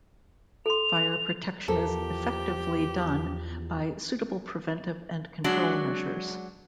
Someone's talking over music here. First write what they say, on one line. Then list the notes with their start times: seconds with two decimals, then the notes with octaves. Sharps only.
Fire protection is effectively done by suitable preventive and control measures.
0.66 A4 C6 F7
1.68 E2 F3 G4 A4 A#4 C5
5.44 F#3 G#3 D4 F#4